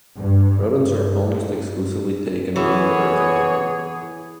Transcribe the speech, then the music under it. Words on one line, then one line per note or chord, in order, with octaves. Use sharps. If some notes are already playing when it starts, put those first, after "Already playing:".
Rodents are almost exclusively taken when they are available.
G2
G2
E3 B3 G#4 C#5